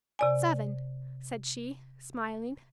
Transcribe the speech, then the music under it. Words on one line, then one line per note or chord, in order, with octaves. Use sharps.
"Seven," said she, smiling.
C3 D5 G#5